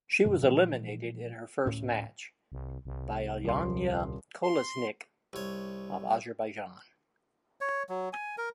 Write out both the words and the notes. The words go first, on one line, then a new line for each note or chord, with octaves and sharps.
She was eliminated in her first match by Alyona Kolesnik of Azerbaijan.
F#2 B2 D3 F3
A#2 E3 F3 G#3
D2 A2 C#4
C2
C2
D#1 C6
C6
C2 C#5
C#5
F#3
G#5
A#4